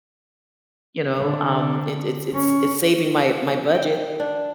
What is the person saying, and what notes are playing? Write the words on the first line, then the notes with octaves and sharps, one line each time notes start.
you know, um, it it's it's it's saving my my budget.
D3
C#4
G5
D4